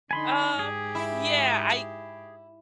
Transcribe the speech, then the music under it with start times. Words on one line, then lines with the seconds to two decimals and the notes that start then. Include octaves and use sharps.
Um, yeah, I
0.11 D3 D#4 G#5 B5 C6
0.59 G#2 G4 G#4
0.95 E4